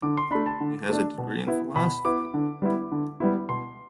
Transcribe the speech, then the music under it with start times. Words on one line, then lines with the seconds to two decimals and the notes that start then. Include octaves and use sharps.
He has a degree in philosophy.
0.02 D3 D6
0.17 C6
0.31 A3 D4 B5
0.46 A5
0.61 D3
0.89 A3 D4
1.18 B2
1.47 B3 E4
1.76 B2 B5
2.05 B3 E4 D6
2.34 D3
2.62 G3 B3 E4
2.92 D3
3.20 G3 B3 E4
3.49 B2 C6